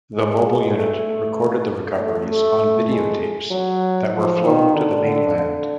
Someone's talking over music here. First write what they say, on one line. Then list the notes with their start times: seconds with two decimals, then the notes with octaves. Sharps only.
The mobile unit recorded the recoveries on videotapes that were flown to the mainland.
0.13 G#3
0.44 G#3
0.74 A3
1.97 A3
2.28 A3
2.90 G#3
3.51 F#3
4.13 F3
4.44 D#3
4.74 D3
5.05 D3
5.36 D3